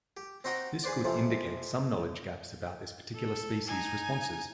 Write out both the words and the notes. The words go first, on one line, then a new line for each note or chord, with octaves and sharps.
This could indicate some knowledge gaps about this particular species' responses.
G4
C4 D#4 F#4 D#5 G5 A#5
G#4 B4 C5 D5
F2 C3 E3 F3
A4
D#4 G#5